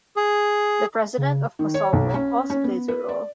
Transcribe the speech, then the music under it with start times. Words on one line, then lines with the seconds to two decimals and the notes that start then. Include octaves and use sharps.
The President of Kosovo also plays a role.
0.16 G#4
1.18 C#3
1.59 D#3
1.74 C#5
1.93 B1
2.14 C#4
2.50 C#4
2.64 B3
2.88 B4
3.09 D5